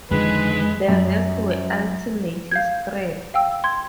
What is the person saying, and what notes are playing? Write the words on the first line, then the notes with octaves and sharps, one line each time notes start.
The rest were ultimately scrapped.
F2 D3 D#3 G#3 B4
F#2
F5 G6 G#6
F5 G5 E6
C6 G#6